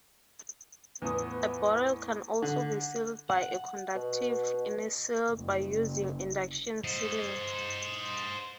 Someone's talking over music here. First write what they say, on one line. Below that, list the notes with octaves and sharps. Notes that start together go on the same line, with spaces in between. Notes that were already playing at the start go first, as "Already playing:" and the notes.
A bottle can also be sealed by a conductive "innerseal" by using induction sealing.
E2 A2 F3 B3 B4 D#6
D3
F#5
B2
F#1
C5 D#5